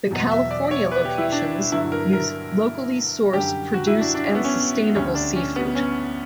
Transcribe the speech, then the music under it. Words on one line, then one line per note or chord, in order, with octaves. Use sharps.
The California locations use locally sourced produced and sustainable seafood.
E2 B2 F#3
E5
D5
C#5
B4
G4
E4
D4
G2 D3 F#3 E4
A#4
A#4
F#2 D3 G3 G4
F#4
E4
D4
D4
C#4
B3
C#4
D2 D3 G3 C#4
D4
C#4
B3
C#4